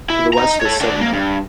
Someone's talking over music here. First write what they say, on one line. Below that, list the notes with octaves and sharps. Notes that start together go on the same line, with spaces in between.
To the west is Segner.
E4
D#5 A#5
A4 C#5
D4 F#4
A#3
G2